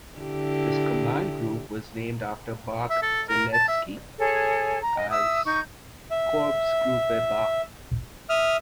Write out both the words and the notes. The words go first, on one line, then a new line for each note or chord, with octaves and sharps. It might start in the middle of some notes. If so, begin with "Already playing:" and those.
This command group was named after Bach-Zelewski, as "Korpsgruppe Bach".
D3 E4 G4
E5
A4
A#4
A5
E5
G#4 A4 C#5 G#5
A#5
D#5
E5 D#6 E6
D#4 C#6 G6
E5
E5 D#6 F6